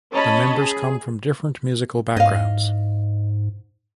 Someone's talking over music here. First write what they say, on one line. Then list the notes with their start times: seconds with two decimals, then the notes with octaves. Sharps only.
The members come from different musical backgrounds.
0.12 C#4 C#5 D#5 A5 B5
0.57 G#4
2.17 G#2 D#5 F5